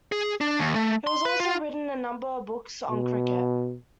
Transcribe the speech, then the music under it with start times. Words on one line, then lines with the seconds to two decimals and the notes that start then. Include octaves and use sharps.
He has also written a number of books on cricket.
0.12 G#4
0.41 D4
0.59 D#2
0.75 A3
1.07 C6
1.25 B4
1.40 F4
2.90 B2